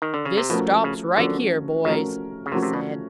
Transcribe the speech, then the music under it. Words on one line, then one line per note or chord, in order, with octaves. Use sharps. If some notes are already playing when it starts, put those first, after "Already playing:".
"This stops right here, boys," he said.
D#3
D3
C#3
C3
B2 F3 A3 C#4 F#4 A#4
C#3
D3 F3 A3 C#4 F#4 A#4
C#3 F3 A3 C#4 F#4 A#4
C#3
C3 F3 A3 C#4 F#4 A#4
C3
B2